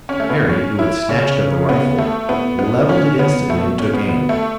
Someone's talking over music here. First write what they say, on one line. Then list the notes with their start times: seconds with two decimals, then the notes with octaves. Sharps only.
Harry, who had snatched up a rifle, levelled it instantly and took aim.
0.09 C#4
0.20 A3
0.30 B3
0.49 C#4
0.79 E4
1.09 C#3 C#4
1.69 B3
1.98 A3
2.29 A2 B3
2.59 F#2 B3
2.89 A2 C#4
3.19 C#3 B3
3.49 B2 A3
3.79 C#4
3.94 B3
4.09 B2 B3
4.29 A3